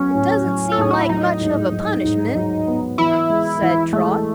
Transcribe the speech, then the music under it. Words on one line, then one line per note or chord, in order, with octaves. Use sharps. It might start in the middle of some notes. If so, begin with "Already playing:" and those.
"It doesn't seem like much of a punishment," said Trot.
Already playing: F#3 B3 C#4
A2
F#3
A4
A2 G#4
F#4
E4
F#3 D#4
G#2
F#3
G#2
F#3
B3
E3 E4
G#3
E3
G#3 A3